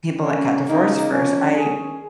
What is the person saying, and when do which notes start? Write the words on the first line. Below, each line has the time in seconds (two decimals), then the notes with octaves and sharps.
people that got divorced first. I
0.22 C#3 A#3 C#4
0.66 C#3 A#3 D#4
1.11 C#3 F3 A#3 C#4
1.55 D#3 C#4 G#4